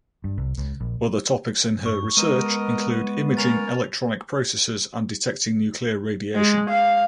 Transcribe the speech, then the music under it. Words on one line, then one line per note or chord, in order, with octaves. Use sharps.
Other topics in her research include imaging electronic processes and detecting nuclear radiation.
G2
C2
C#2
A#1
G2 C#6
G#3 B3 A#4 D#5 D#7
C#4 A#4 C#5 A6 F7
G#3
F5